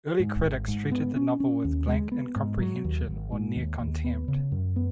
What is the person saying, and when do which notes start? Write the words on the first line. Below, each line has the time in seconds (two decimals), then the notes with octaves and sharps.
Early critics treated the novel with blank incomprehension or near-contempt.
0.20 G#2
0.44 G#1
0.68 G#2
0.92 B3
1.16 C#4
1.40 C#4
1.65 D#2
1.87 G#3
2.12 B3
2.36 G#2
2.59 F#3
2.84 D#2
3.07 G#1
3.32 G#2
3.56 D#2
3.80 D#2
4.04 B3
4.28 C#3
4.52 F#2
4.76 B3